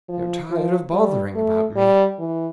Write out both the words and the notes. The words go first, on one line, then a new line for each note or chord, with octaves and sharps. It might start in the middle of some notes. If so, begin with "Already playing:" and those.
You're tired of bothering about me.
F3
F3
G3
A3
G3
E3